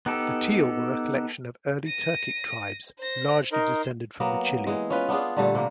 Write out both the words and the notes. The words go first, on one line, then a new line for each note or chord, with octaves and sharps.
The Tiele were a collection of early Turkic tribes, largely descended from the Chile.
B3 D#4 G4 A4
A#6 D#7
C5 A#6
D#4 A#4 C6
F#3 A#3 B3
E3 G#3
C#4 E4 F4 B4
B3 D4 F4 G#4
A#2 D3 G3 A3
C3 A#3